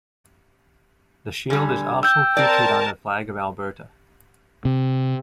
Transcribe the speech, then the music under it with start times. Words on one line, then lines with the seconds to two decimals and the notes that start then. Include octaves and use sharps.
The shield is also featured on the flag of Alberta.
1.50 D3 G3 G#5
2.03 G5 E6 G6
2.37 C4 A#4 D5 A5
4.65 C3